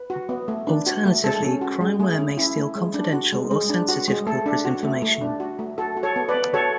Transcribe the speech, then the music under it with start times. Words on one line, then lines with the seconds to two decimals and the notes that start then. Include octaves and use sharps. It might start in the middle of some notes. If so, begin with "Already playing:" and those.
Alternatively, crimeware may steal confidential or sensitive corporate information.
Already playing: B4
0.10 F#4
0.29 B3
0.48 A3
0.67 D4
0.87 F#4
1.05 A3
1.24 G#3 A4
1.43 C#4
1.61 F#4
1.81 G#3
2.00 A3 G#4
2.19 C#4
2.37 E4
2.56 A3
2.76 G#3
2.94 D4
3.13 F#4
3.32 G#3
3.51 G#3
3.70 D4
3.88 F#4
4.08 G#3
4.27 A3 A4
4.46 D4
4.65 F#4
4.83 A3
5.02 A3
5.21 D4
5.40 F#4
5.59 A3
5.78 F#4 A4
5.97 F#4
6.03 A4 C#5
6.16 B3
6.29 B4 D5
6.34 B3
6.54 F#4 A4 C#5